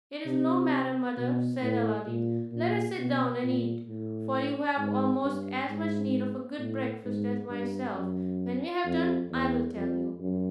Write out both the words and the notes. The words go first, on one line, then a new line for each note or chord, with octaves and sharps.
"It is no matter, mother," said Aladdin, "let us sit down and eat; for you have almost as much need of a good breakfast as myself; when we have done, I will tell you."
C3
B2
A2
A#2
A#2
B2
A#2
A2
G#2
G2
G#2
A2
G#2
G2
F#2
F2
E2
F2
F#2